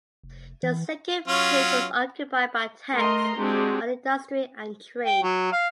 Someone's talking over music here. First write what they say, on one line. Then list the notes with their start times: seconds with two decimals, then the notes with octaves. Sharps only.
The second page was occupied by texts on "Industry and Trade".
0.23 F1
0.63 E3
1.28 F#3 C#4 F4
2.94 A3 A#4 D#5 A#5 C6
3.37 G#3 C4 D4 F#4 G4
5.06 G5
5.23 F#3
5.52 F5